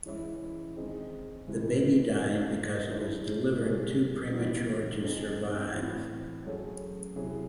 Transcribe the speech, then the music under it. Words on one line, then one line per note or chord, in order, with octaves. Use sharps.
The baby died because it was delivered too premature to survive.
E3 G#3 C#4 E4
D#3 G#3 C4 D#4 G#4
C3 E3 G#3
A3 D#4 F#4
D#3 A3 C#4 E4 C5
C3 F#3 C#4 G#4 C#5
C3 E3 C4 D#4 F#4
A3 C4 D#4 G#4
A2 E3 C4 F#4
F#3 A3 C#4 G#4
C3 F#3 C#4 E4 G#4